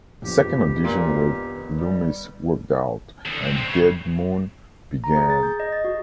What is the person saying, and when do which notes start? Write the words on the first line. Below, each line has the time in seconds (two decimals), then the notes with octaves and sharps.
A second audition with Loomis worked out, and Dead Moon began.
0.23 A#1 F2 D#3 B3 G4
0.84 A#2
1.71 G3
3.25 E2 D3
3.41 G2 C4
3.55 D3 C4
3.67 C#3
5.04 A#5
5.16 G#4
5.30 A6
5.43 G6
5.60 D#5
5.72 A6
5.85 F#4